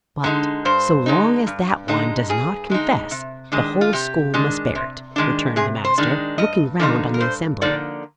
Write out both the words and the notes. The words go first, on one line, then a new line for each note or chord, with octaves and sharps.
"But, so long as that one does not confess, the whole school must bear it," returned the master, looking round on the assembly.
D3 G#3 D#4
G2 C5
D3 G#3 D#4
G2
D3 G#3 D#4
G2 G#4
D3 G#3 D#4
C3
D#3 G#3 D4
F4
C3 G4
D#3 G#3 D4
C3
D#3 G#3 D4
C3 G#4
C5
D#3 G#3 D4
G2 D#5
D3 F3 A#3 D#4
A#4
G2 C5
D3 F3 A#3 D#4 D5